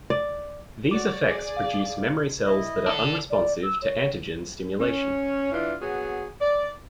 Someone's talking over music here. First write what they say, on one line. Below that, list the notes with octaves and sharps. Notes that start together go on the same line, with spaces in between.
These effects produce memory cells that are unresponsive to antigen stimulation.
D5
F#4 C#5 D5 D6
G#4 D5
F5
E4 D#5
D4 A4
D5
E6
C#5
C#4
E3 D4 E4 F4
F#3 B3 F#4 G#4
D5